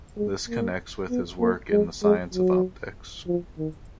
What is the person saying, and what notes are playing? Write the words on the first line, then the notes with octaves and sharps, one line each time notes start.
This connects with his work in the science of optics.
G#3
A#3
B3
A#3
G#3
G#3
F#3
F3
D#3